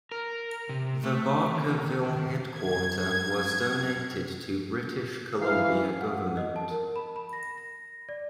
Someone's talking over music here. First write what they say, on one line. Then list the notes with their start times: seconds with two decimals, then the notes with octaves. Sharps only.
The Barkerville headquarter was donated to British Columbia government.
0.12 A#4
0.69 C3
1.04 A3
1.55 D#3
2.04 D#3
2.57 F#2 G#6
5.40 E3 F5
6.01 F#5
6.37 D#5
6.56 A5
6.70 A#4
6.96 B5
7.16 B5
7.33 A#6
7.58 A#6
8.09 D5